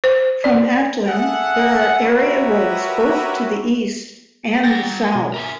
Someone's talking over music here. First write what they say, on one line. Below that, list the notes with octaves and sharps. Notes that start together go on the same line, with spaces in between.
From Atlin, there are area roads both to the east and the south.
C5
D5
G#4 A4 E5 F#5
F#4 G4 A#4 B4 C#5 E5
G3 F#5 G5 A6 A#6
B2
A#4 E5 G#5